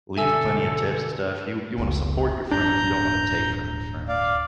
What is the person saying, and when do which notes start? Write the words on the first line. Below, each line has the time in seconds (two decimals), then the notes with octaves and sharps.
leave plenty of tips and stuff. You you wanna support your friends; you don't wanna take from your friends.
0.17 B2 D3 A4 E5 G#5 E6
1.78 F1 C#2
2.51 D1 G2 D4 A#5 G6
4.08 D5 F5